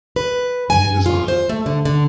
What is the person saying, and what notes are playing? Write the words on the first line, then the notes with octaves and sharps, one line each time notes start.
The Heat Is On.
B4
G#5
F4
C5
A3
D3
D3